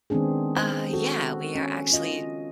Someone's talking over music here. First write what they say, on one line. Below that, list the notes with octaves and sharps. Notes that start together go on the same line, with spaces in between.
Uh, yeah, we are actually
D#3 G#3 B3 C4 D4 G#4
C5
F#4 A4
C#4
F4 D#5